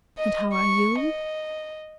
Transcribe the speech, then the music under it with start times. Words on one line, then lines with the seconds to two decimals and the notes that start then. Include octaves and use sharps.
And how are you?
0.18 D#5
0.53 C#6
0.99 D#5